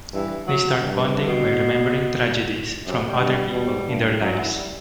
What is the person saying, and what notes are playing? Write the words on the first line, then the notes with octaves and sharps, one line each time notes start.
They start bonding by remembering tragedies from other people in their lives.
G2 E3
F#3
G2
C3
B2
F#2 C3
G3
G2
G3
B2
G2
F#2 F#3
F#3
E3
G3